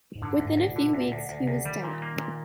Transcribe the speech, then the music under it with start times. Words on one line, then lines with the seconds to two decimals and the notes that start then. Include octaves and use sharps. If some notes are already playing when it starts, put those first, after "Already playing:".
Within a few weeks, he was dead.
0.15 G#2
0.22 G2 D3
0.40 D2 G2
0.45 G#2
0.57 D2
0.69 A#2
0.76 D3
0.93 D2 A#2
1.12 D2
1.29 D2
1.41 C3
1.47 D2
1.65 D#3 G3
1.84 A#2
2.02 A#3
2.20 A#2